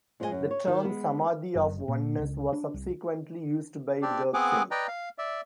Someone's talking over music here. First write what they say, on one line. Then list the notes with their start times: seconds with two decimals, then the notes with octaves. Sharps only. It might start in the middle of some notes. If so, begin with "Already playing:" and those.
The term "Samadhi of Oneness" was subsequently used by Daoxin.
0.20 F2 F3 G#3 C4 D#5 G#5
0.31 F#2
0.51 C#5
0.67 D#3
0.85 G#3 B3
1.55 F#1
1.88 A#2
2.19 C#2
2.53 D4
2.74 C2
4.02 C4 D4 G4 D5
4.34 B3 C4 G#4 F#5 G#5 D6
4.71 B4 D5 D#5 G5 A#5
4.88 F5
5.18 D5 E5